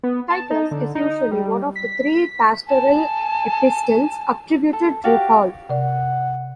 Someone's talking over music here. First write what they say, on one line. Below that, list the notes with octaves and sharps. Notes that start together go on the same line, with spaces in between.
Titus is usually one of the three Pastoral epistles attributed to Paul.
B3
A5
D#4
D3
D#4
G3
B6
G#5 A5
A4
F#4 G4 D5 F5
C3 D5 F#5